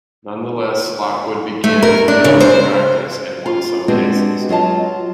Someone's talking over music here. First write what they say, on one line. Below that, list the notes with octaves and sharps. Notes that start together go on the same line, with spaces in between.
Nonetheless, Lockwood began to build a practice and won some cases.
A3
A#4
D4
C#3
C5
F4
G#3 B3 C4 D4 F#4 G4
F#3 F4 D#5 A5